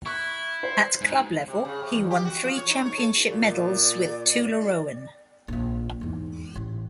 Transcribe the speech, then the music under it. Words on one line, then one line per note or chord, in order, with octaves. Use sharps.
At club level he won three championship medals with Tullaroan.
E4 C#6 F#6
C5
G#2
C3
C#3
C3
E2
G4
F#4
F3
C#5
D#4
C#5
A4
A#2 D5
A#1 F4
E2 G#2
A1 E4